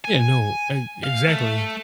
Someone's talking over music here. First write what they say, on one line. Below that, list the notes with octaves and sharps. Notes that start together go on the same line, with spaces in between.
Yeah, no, e exactly.
G#5
F5
A3